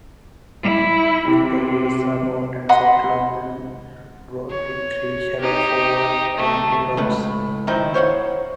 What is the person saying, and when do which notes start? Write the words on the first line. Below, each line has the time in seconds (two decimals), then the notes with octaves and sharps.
The leaves are broad and soft, long and broad, with three shallow forward-pointing lobes.
0.62 E4
1.28 C3
2.69 D#5 F#5 B5 C6
4.50 C#5
5.40 D#4 G4
6.37 A3
6.97 C#2 A2 B4
7.67 D#3 F3 C4 D#4 E4
7.94 C5 C#5 E5 F#5